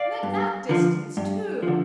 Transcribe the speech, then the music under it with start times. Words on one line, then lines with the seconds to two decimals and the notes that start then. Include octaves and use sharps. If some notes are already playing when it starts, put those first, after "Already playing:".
And at that distance, too!
Already playing: D5 F5
0.23 G2
0.69 D3 F3
1.17 G2
1.62 F3
1.68 D3